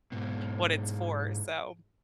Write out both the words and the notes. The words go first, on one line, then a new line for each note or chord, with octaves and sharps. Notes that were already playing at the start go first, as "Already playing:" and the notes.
what it's for, so.
G#2 B2